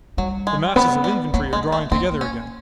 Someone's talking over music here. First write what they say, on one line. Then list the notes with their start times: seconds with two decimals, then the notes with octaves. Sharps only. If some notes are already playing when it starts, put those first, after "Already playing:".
The masses of infantry are drawing together again.
0.17 F#3 G3
0.47 G#3
0.76 G3 B3
1.04 G3
1.33 F#3 A#3
1.53 G#3
1.72 A3
1.91 A#3 C4
2.21 C#4